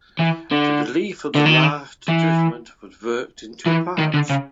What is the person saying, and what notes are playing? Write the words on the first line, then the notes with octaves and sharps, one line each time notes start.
The relief of the Last Judgment was worked in two parts.
E3
D3
D3
D#3
E3
E3
D#3
D3
C#3